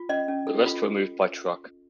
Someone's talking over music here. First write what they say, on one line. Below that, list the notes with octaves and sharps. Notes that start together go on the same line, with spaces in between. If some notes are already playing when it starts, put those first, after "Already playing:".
The rest were moved by truck.
Already playing: F4
C#4 D#5
C#4
A4
F4